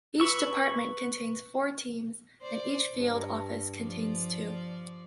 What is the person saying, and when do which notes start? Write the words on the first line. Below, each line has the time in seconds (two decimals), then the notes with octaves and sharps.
Each department contains four teams and each field office contains two.
0.20 B4 C#6 E6
2.42 C5 D5
2.95 G2
3.73 F3 D5